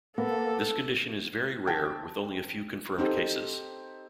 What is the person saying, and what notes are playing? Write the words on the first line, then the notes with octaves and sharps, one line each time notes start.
This condition is very rare with only a few confirmed cases.
A#3 B3 A4
G5 A5
C4 D#4 G4 A4